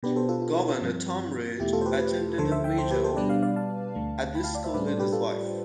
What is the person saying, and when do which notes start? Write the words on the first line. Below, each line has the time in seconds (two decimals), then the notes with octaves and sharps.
Governor Tom Ridge attended a vigil at the school with his wife.
0.03 B2 B3 D4 G4 B4
0.16 A4 C5
0.29 F4 A4
0.42 F4
0.55 E4
0.69 F4
0.81 G2 F3 C4
1.60 E2 B2 A3 E4 G4
1.73 F4 A4
1.81 C5
1.86 G4 B4
1.99 G4 B4
2.38 D2 D3 F3 A4 C5
2.52 C5 E5
2.64 E5 G5
2.78 A4 C5
2.91 G4 B4
3.04 A4 C5
3.16 B2 G3 D4 B4 D5
3.29 D5 F5
3.42 D5 F5
3.56 F5 A5
3.95 D2 D3 A3
4.35 G5 B5
4.44 F5 A5
4.54 D5 F5
4.64 C5 E5
4.74 A2 G3 D4 B4 D5
4.86 A4 C5
4.99 G4 B4
5.13 F4 A4